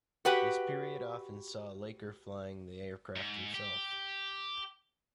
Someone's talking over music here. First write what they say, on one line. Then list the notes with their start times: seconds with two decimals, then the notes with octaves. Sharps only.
This period often saw Laker flying the aircraft himself.
0.25 F#4 G4 B4 F#5
3.16 G#2
3.54 G4